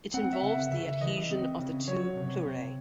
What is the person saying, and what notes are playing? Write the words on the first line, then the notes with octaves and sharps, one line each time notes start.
It involves the adhesion of the two pleurae.
C4 F#5
E5
C#3 F#5
C#3 E5
E3 D#5
C4
C#3
F#3 C#5
C3
C3